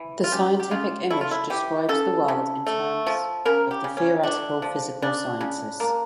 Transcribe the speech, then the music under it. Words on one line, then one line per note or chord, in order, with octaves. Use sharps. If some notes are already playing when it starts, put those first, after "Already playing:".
The scientific image describes the world in terms of the theoretical physical sciences.
Already playing: E3
F4
C#3 G4
G4
C#3 F4
A3 E4
F4
E4
E3 G4
C#3 A4
C#3
A3
F3
C#3 A#4
G4
C#3
C#4
A3 D4
F3
C#3 D4
C#3
A#3